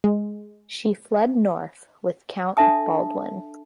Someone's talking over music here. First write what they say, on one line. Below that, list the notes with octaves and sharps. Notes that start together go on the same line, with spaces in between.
She fled north with Count Baldwin.
G#3
D4 A4 E5 A5 D#6